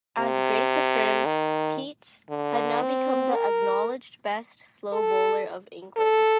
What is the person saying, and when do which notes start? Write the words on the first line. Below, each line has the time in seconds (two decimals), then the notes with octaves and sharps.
As Grace affirms, "Peate... had now become the acknowledged best slow bowler of England".
0.19 C3
1.25 D#3
2.30 D3
2.82 C4
3.35 A#4
4.93 A4
5.97 A4